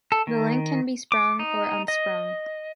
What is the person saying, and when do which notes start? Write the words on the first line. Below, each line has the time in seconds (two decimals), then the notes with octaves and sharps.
The link can be sprung or unsprung.
0.12 A4
0.27 D#3
1.12 D6
1.39 D#4
1.88 D#5